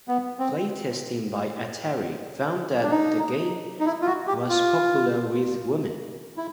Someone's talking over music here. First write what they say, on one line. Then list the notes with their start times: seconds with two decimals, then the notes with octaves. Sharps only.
Playtesting by Atari found that the game was popular with women.
0.08 B3
0.39 C4
2.83 D4
2.91 D#4
3.80 D#4
3.86 E4
4.02 F4
4.07 F#4
4.27 G4
4.49 F4
6.37 E4